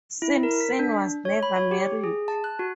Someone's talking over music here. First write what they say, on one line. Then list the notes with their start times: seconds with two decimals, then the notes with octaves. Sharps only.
Simpson was never married.
0.22 E4
0.43 A#4
0.61 B6
0.79 D4
1.25 C#5
1.43 B5
1.56 C#5
1.71 G4
2.04 G#4
2.28 A5
2.44 F#6
2.59 F#4